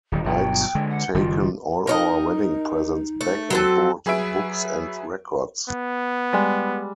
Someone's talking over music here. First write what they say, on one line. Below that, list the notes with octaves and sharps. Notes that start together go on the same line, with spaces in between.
I'd taken all our wedding presents back and bought books and records.
D1 D#3 G3
G1 B2 F#3 G5
D3 G#3
F#5
F#1 D#3 G3 F4
D#4 A#4 C#5 D#5
A3
F#3 C4 A4
F#3 G#4 B4 E5 D7
B3
G3 G#3